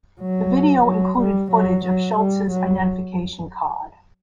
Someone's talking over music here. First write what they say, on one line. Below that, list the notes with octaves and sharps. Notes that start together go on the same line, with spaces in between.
The video included footage of Schulz's identification card.
F#3
F#3
G3
F#3
F#3
G3
F#3